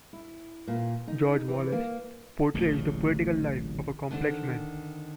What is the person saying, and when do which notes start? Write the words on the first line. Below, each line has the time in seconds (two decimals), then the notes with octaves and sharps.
"George Wallace" portrays the political life of a complex man.
0.13 E4
0.67 A#2
1.07 D#4
1.48 E3
1.72 A#3
2.54 D1 A1 A#2
4.11 D3 D#3 C4 D4